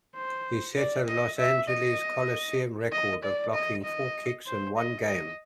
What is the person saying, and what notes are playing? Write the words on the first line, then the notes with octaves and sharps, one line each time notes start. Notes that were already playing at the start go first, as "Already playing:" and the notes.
He set a Los Angeles Coliseum record of blocking four kicks in one game.
C5
D5
D#5
E5
D#5
D#5
D5
D#5
D#5
C5
D#5
D#5